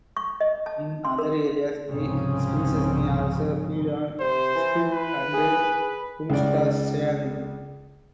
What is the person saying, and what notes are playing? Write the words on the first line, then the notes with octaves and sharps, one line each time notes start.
In other areas, the species may also feed on squid and crustaceans.
C#6
D#5
A5
C6
A#4
C2 F2 G#2 C#3 C4 C#4
C3 C5
E3
B4
G#4
C#2 C#3 D5